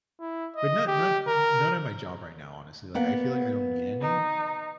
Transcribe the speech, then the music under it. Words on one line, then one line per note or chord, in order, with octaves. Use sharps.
but not not n not at my job right now, honestly- like, I feel like I don't need any
E4
D#5
G4
A#4
A#3 B3 F#5
D#4